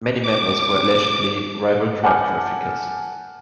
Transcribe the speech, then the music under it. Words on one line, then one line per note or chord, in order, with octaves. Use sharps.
Many members were allegedly rival drug traffickers.
D6
F#5 G#5 A5 D6 F6 G6